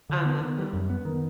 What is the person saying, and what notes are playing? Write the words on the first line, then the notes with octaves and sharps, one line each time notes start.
Uh-huh. Uh-huh.
D3
B3
D#3
G3
F#2
B3
D#3